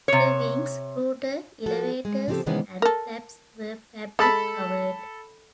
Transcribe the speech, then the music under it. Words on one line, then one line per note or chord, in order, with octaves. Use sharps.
The wings, rudder, elevators and flaps were fabric covered.
C3 C#5
F3 F#4 A4
G#3
C#3 F3 C4 F#4 G4 A4
C3 D#3 E3 G#3 B3 C#4
A4 A#4
G#3 A4 A5 B5